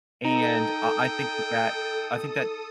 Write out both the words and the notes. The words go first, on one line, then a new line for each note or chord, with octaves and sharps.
and uh, I think that I think that
D#4 A4 G5 A#5 D#6